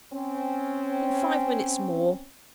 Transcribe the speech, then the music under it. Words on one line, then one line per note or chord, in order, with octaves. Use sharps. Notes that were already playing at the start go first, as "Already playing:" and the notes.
'In five minutes more--.
C4 C#4